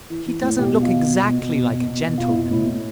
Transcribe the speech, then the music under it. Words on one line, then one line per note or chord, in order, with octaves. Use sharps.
"He doesn't look exactly like a gentleman."
E3
E3
A2
B2 G4
B2
F4
B2
B2
B2
B2
B2
B2
B2
B2
B2 F4
E4
B2
A2 E4
A2